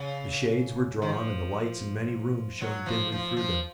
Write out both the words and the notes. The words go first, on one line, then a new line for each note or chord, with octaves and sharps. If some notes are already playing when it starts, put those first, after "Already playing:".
The shades were drawn, and the lights in many rooms shone dimly through them.
Already playing: C#3
D#3
F3
F#3
F3
F3
F3